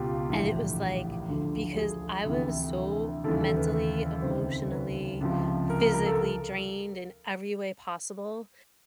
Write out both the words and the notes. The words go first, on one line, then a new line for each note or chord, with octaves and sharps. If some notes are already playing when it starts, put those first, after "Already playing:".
And it was, like because I was so mentally, emotionally, physically drained in every way possible,
Already playing: C#2 B2 F4 G4
A#1 A2 E3
D2 D3 F3
G#4
D2 C3 E3
D#2 C#3 E3 A4
A4
B4
C#2 C3 D#3 C5
B4
C#2 C3 F3
A#4
A#4
A#4
A4